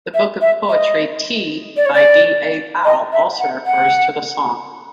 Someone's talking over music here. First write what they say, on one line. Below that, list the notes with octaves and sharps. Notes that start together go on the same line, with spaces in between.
The book of poetry "Tea" by D. A. Powell also refers to the song.
E5
E5
E5
D#5
D5
C#5
D5
D#5
E5
F#5
F#5